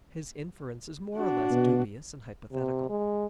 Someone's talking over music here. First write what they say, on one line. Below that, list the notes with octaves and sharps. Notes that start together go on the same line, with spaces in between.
His inference is more or less dubious and hypothetical.
D4 F#4
B2
C3
G#3